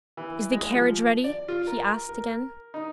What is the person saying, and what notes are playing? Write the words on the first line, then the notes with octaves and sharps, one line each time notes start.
"Is the carriage ready?" he asked again.
E3
G#3
F3
D5
F4
A#4
A#4
D#4